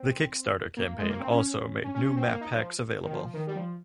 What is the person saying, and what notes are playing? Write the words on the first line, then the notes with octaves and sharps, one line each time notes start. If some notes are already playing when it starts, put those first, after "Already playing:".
The Kickstarter campaign also made new map packs available.
Already playing: C4
A#3
G#3
A#3
C4
C#4
C#4
C#4
C#4
C4
A#3
D#4
F3
D#3
F3
D#3
G3
F3